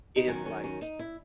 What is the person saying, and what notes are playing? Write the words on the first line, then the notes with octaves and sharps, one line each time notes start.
in, like
D#4
F#2 D#3 F#3 C#4
C#4
C#4
D#4
E4